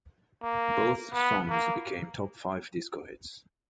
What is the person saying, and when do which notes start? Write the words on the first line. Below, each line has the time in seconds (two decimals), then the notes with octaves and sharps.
Both songs became top five disco hits.
0.42 A#3
1.13 B3
1.49 A#3